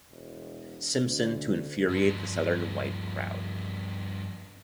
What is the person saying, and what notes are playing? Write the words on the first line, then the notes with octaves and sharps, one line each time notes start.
Simpson to infuriate the southern white crowd.
E1
D2
G2 F3